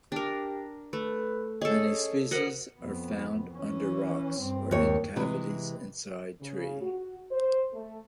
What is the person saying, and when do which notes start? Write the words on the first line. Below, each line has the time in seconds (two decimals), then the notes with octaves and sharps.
Many species are found under rocks or in cavities inside tree.
0.12 D4 G4 A#4
0.93 A3 B4
1.61 C#4 G#4 A4 D#5
2.31 F#4 A#4 C5 D#5 F#5
2.79 F2 B3
3.53 E3 C#4
4.40 G2 C4
4.71 D#2 C#5
5.16 C3 E3 G#3 B4
6.41 C#3
6.82 F#4
7.31 C5
7.73 A3